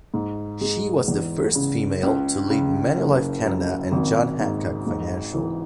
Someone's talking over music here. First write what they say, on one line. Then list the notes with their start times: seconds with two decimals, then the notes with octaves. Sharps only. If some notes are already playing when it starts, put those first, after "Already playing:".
She was the first female to lead Manulife Canada and John Hancock Financial.
0.14 G#2
0.61 G#3
1.08 E2
1.55 C#3
2.03 C#2
2.50 C#3
2.98 F#1
3.45 F#2
3.92 G#1
4.40 G#2
4.87 G#2
5.34 E3